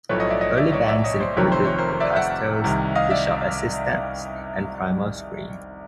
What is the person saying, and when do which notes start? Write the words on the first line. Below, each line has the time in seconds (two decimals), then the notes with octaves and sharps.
Early bands included The Pastels, The Shop Assistants and Primal Scream.
0.09 B1 A2 F3 A3 B4 C#5
0.20 C#5 D#5
0.30 D5 E5
0.41 C#5 D#5
0.57 D5 E5
0.72 C#5 D#5
0.88 D5 E5
1.04 C#5 D#5
1.20 C5 D5
1.37 F1 F2 C3 D#3 B4 C#5
1.52 C5
1.66 C#5
1.78 A#4 C5
2.00 D5 E5
2.15 E5 F#5
2.64 C2 C3 D#3
2.95 D#5 F5
3.10 D5 E5